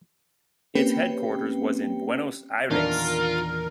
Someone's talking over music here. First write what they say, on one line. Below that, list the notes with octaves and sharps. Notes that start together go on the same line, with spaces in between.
Its headquarters was in Buenos Aires.
A#3 C4 C#4 G4 B4 G5
E2 A#2 D#3 D4 F4 A#4